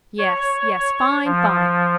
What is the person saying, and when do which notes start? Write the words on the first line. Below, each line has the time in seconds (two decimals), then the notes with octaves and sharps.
Yes, yes--fine, fine.
0.18 C#5
1.25 F3